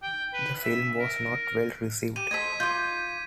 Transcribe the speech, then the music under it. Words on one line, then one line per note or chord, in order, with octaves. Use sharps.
The film was not well received.
G5
B4
E5
A#4
G4 D#7
A4 C5 D#5 G#6 B6
F4 D6 G6